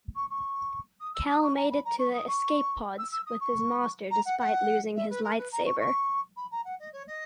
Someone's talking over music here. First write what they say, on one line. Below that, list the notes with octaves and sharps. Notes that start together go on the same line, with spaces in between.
Cal made it to the escape pods with his master despite losing his lightsaber.
C#6
C#6
D#6
E6
D#6
C#6
A#5
B5
A#5
C#6
D#6
C#6
E6
E6
D#6
C#6
A#5
F#5
F#5
E5
B4
A#4
B4
A#5
C#6
C#6
B5
A#5
F#5
D#5
C#5
D#5